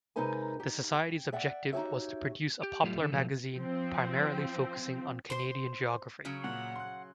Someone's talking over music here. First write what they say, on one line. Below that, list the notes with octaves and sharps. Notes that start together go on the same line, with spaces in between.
The Society's objective was to produce a popular magazine primarily focusing on Canadian geography.
C3 G#3 D#4 A#4 B4 G#5
D#4 G4
G5
D5 E5 F#5 G5
D#4 F#4 G4 C#5 E5
G4
A2 F#3 G3 A3 F4 G4
D#3 D4 A4
B2 D3 F3 F#3 A3
F3 C4
C5 C6
C#3 F#3
A#2 F#5
C6 F#6